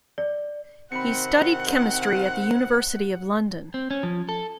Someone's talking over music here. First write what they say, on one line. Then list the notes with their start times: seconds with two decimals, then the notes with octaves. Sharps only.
He studied chemistry at the University of London.
0.18 D5
0.92 C3 D#3 C4 F#5 B5 C#7
3.74 C4
3.91 C#4
4.03 F3
4.29 A4